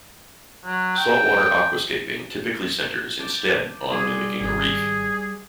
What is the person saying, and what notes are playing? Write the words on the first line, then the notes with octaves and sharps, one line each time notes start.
Saltwater aquascaping typically centers, instead, on mimicking a reef.
F#3
G5
A5 D6 G6
B2 G3 F4 G#4 D#6
G#1 G#4